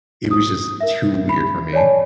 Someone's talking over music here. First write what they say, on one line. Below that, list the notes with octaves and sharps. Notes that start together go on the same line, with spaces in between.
it was just too weird for me.
D#6
A#4 E5
B5
C#5 D5 G#5 A5